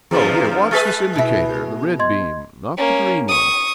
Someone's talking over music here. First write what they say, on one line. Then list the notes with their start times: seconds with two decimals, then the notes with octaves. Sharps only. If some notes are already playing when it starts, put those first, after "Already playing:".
No--here, watch this indicator--the red beam, not the green one.
0.11 E2 G2 F3 G#4
0.71 G#3 G#4 B4 F6 A6 B6
1.16 B2 E4
1.99 D#5 C6 G#6
2.77 A#3 C#4
3.28 C#6 D#6